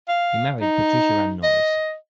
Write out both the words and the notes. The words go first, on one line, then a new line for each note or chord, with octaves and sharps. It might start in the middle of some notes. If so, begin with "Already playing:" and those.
He married Patricia Ann Norris.
F5
D#4
D#5